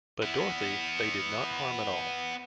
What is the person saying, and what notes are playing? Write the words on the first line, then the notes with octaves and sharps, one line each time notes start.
But Dorothy they did not harm at all.
B3 E4